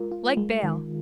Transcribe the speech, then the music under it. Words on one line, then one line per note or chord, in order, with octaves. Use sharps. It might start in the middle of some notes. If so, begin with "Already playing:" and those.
Leg bail.
Already playing: G#3 F4 A#4
F4
G#3
D#3